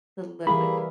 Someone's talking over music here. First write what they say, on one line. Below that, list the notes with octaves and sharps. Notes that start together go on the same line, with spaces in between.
to live with
E3 G3 A#3 E4 G#4 B5